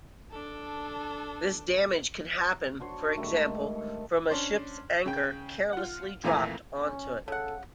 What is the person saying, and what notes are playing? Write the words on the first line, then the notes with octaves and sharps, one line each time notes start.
This damage can happen, for example, from a ship's anchor carelessly dropped onto it.
D4 A4
D4 F#4 C5 C#5
G#2 D#3 G3 A3
A4
C#4 D4 C5
C#3 G5
F4 F#5
F2 A#2 E3 A3 G#5 A#5
C#4
C#3 A4 F#5